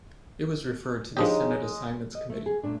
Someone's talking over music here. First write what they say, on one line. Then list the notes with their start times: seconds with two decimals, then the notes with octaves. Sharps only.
It was referred to the Senate Assignments Committee.
1.17 F3 G#3 D4 D#4 G4 C#5 D#5
2.15 D#5
2.30 A3
2.46 G#4
2.64 A#2 A3 D4